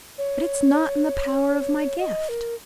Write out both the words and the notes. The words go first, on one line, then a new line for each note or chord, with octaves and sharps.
But it's not in the power of my gift.
C#5
D#5
A#4